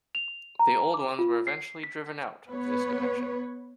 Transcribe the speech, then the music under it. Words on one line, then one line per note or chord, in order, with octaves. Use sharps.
The Old Ones were eventually driven out of this dimension.
F7
A#5
D6
F4
C7
B6
B3 B4 C#5